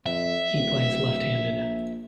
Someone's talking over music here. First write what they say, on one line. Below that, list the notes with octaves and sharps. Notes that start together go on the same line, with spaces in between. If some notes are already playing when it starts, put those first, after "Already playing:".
He plays left-handed.
F2 E5
D1
A#1